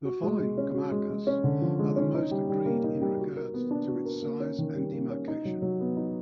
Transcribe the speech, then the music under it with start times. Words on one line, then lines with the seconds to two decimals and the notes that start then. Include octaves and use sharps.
The following "comarcas" are the most agreed in regards to its size and demarcation.
0.05 F#4
0.23 G#3
0.40 G#3
0.58 C#4
0.74 F#4
0.92 G#3
1.10 G#3
1.27 C#4
1.44 D3
1.62 F3
1.79 G#3
1.96 C#4
2.15 D#4
2.31 G3
2.49 G3
2.66 A#3
2.84 D#4
3.02 G3
3.19 F#4
3.36 A#4
3.54 B3
3.71 D4
3.88 F#4
4.05 A#4
4.22 A#3
4.40 C#4
4.58 D#3
4.75 G3
4.92 A#3
5.10 C#4
5.28 D#4
5.45 F#3
5.62 F#3
5.80 B3
5.97 D#4